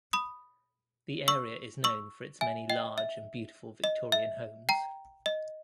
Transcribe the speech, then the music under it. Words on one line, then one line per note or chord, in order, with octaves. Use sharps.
The area is known for its many large and beautiful Victorian homes.
B5 D#6
C#6 E6
C#6 E6
E5 G#5
D#5 G5
E5
D#5
E5
G5 A#5
D#5